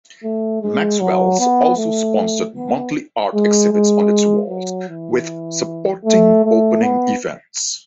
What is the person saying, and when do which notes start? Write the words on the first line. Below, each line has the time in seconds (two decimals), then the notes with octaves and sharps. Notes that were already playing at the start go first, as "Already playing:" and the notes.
Maxwell's also sponsored monthly art exhibits on its walls, with supporting opening events.
0.24 A3
0.62 G#3
1.00 F#3
1.40 B3
1.78 A3
2.56 B3
3.34 G#3
3.72 G#3
4.50 F#3
4.89 E3
6.05 A3
6.44 A3
6.82 B3